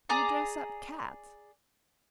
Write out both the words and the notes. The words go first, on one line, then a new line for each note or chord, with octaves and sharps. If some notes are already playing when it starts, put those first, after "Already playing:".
"You dress up cats."
G#4 D5 A#5